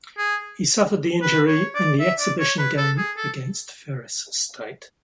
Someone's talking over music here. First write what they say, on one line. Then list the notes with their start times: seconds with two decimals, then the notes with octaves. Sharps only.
He suffered the injury in the exhibition game against Ferris State.
0.18 G#4
1.22 B4
1.48 C#5
1.75 D5
2.00 E5
2.19 D5
2.39 C#5
2.59 B4
2.78 A4
2.98 G#4
3.17 A4